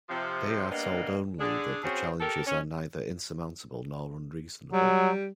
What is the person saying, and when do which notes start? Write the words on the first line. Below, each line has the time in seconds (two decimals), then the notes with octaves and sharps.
They are told only that the challenges are neither insurmountable nor unreasonable.
0.09 C3 F3
0.71 G2 A#3 B3 D4 D#5
1.39 D3 D4 G#4
1.83 C#3 C4 F#4 G#4 C5 C#5
2.21 G4 A4 A#4
2.46 C#4
4.73 F#3 G3